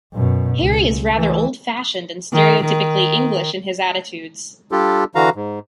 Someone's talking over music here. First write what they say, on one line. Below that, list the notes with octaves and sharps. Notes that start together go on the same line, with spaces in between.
Harry is rather old-fashioned and stereotypically English in his attitudes.
F#2 B2
C#2
E3 A3
D#3
D#3
G3 D4 F4 G4 A4
D3 E3 F#4 F5 A#5
G#2